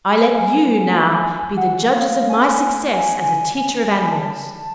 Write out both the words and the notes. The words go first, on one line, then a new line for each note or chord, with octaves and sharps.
I let you, now, be the judges of my success as a teacher of animals.
G#5
F#5
F5
G#5
G#5
A5